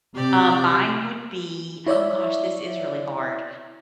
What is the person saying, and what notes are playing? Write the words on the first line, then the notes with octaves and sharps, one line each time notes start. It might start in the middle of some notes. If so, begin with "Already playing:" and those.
Um, mine would be oh gosh, this is really hard.
C3 G4 D5
E4 C#5 D5 E5